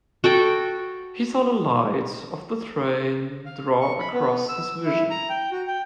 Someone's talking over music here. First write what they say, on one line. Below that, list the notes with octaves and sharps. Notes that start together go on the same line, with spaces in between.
He saw the lights of the train draw across his vision.
F#4 A4 G5
F5
C#6
B5
B3
E6
E4
A#5
G5
F#4
G5